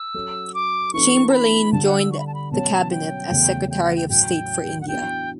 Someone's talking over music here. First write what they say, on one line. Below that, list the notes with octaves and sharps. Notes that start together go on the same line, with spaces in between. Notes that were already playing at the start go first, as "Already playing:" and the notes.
Chamberlain joined the cabinet as Secretary of State for India.
Already playing: E6
F#3 C#4 F#4 A4
D6
E3 B3 D4 A4 C#6
A5
B5
D3 G3 D4 A5
F#5
E6
C#6
B5
A5
B5
B2 F#3 C#4 A5
G5
E2 C#3 F#3 A3
G5
F#5
G5
A2 F#3 C#4 F#4 G5
F#5
E3 B3 D4 F#4 G5